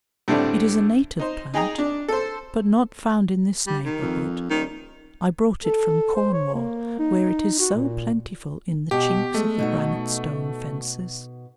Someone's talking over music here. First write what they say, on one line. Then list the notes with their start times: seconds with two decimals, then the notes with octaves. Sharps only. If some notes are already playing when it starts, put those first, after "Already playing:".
It is a native plant, but not found in this neighbourhood; I brought it from Cornwall, where it is so plentiful in the chinks of the granite stone-fences.
0.28 A2 D3 G3 A3 C4 D4
1.19 D#4 C5
1.54 D#4 G#4 G5 A#5 D#6
1.78 D4
2.08 A4 C5
3.67 G3
3.85 D#3
4.02 F2
4.50 D#1 D#3
5.65 A4
6.15 C5
6.33 C#5
6.54 A#3
6.99 D#4
7.60 F#4
7.74 A#2
8.91 B2 G4
9.34 G#3 A3
9.59 B2 D#4 F#4